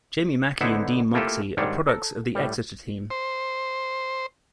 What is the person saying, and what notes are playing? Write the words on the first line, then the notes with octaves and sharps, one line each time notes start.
Jamie Mackie and Dean Moxey are products of the Exeter team.
D3 B3 D#4 E4 C5 C#5
A3 A#3 E4 F4 G4 A4
G#2 D#3 G3 C4 D4 C#5
A4 A#5
A2 G3
C5